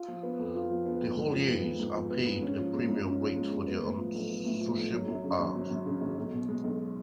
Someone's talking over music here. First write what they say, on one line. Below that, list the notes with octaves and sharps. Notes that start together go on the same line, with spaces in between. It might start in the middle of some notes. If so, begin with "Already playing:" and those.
The hauliers are paid a premium rate for their unsociable hours.
Already playing: F4
F3
B3
F2
F4
F3
B3
F2
G#2
F3
B3
G#2
G#2
F3
B3
G#2
C#4
F3
G#3
G#2
C#4
F3
G#3
G#2
B3
A2
F3
B1
B3
A2
F3
B1
F#3
F#2
C#3
G#1
F#3
F#2
C#3
G#1
B1
B2
G#3
B1